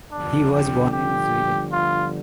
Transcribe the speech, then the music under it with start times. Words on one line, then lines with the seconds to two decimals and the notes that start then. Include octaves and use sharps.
He was born in Zuilen.
0.12 G1 G2 D3 F3 D4
0.52 G4
0.92 G4
1.72 F4